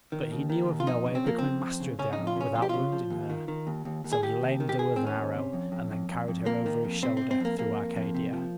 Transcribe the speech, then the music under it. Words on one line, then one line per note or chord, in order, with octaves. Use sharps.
But he knew of no way of becoming master of the animal without wounding her, so he lamed her with an arrow and then carried her over his shoulder through Arcadia.
D#3
D#2
D#3
D#2
F4
F2 D#4
C#3
C4
F3 A#3
F2 C4
F2
C#3
C#3 C#4
F2 D#4
F4
C#3 C#4
F2 F4
G4
C#3 F4
F3
D#2
D#3
D#3
D#2
D#2
D#2
G#4
D#2 G4
D#2
D#3
G4
D#3 G#4
D#3 C4
C#4
D#2
C3
F2
F2
F2
F2
F2
F2 A#3
D#3
F2
C3 C4
C3 C4
C4
F2 A#3
F2 A#3
F2
F2
C3
F3